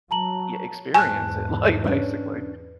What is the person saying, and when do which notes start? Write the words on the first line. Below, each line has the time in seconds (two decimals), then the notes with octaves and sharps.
yeah, experience it, like, basically
0.11 F#3 A5 A#5 F#7
0.94 E2 G#2 G#5 A5 F#6
1.84 C#4 D4 B4